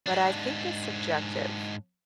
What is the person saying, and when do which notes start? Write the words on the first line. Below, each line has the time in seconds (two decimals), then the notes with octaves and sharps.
but I think it's subjective,
0.06 G#2 D4